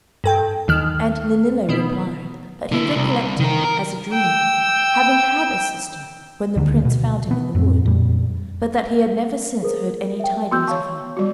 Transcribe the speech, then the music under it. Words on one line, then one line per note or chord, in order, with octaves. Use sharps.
And Nennillo replied, that he recollected, as a dream, having had a sister when the Prince found him in the wood, but that he had never since heard any tidings of her.
G2 A4 G5
D#2 D#3 F6
B2 D#3 B3
D3 E4
C2
D#3 A#4
A#4
G5 E6
D2 D3 D#3
B2
B3
F2 A2 C4
F2 A#2 G3
G#4 A#4 C5
E5 G5
B3 F#4 C6 E6 G6
C#5 F5 A5 C#6
G3 F#4